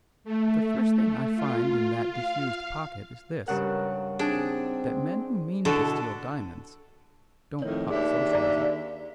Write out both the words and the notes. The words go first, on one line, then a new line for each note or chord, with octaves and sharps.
But the first thing I find in that disused pocket is this: that men who mean to steal diamonds don't talk Socialism.
A3
F4
F5
G2 C#3 A#4 F#5
C4 D4 D#4 G#4
B2 D3 E4 A4 F#5 C#6
F2 A2 D#3 C#5
D#2 D4 G#4 C#5 E5
G#4 D5 A#5
F5